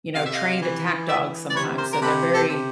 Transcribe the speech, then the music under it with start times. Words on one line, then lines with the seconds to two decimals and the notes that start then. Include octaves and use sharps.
you know, trained attack dogs sometimes, so they're very
0.15 C3 F5
0.25 E5
0.34 D#5 F5
0.62 E3
1.08 E3 D5 E5
1.50 D5
1.55 C3 B4 C#5
1.78 A#4 C5
1.93 A#4
2.02 C3 A4 B4
2.33 G4 A4
2.49 C3